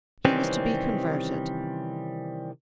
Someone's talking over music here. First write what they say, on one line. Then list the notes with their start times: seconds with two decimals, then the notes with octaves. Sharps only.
He was to be converted.
0.25 C3 D#3 E3 G3 C4 C#4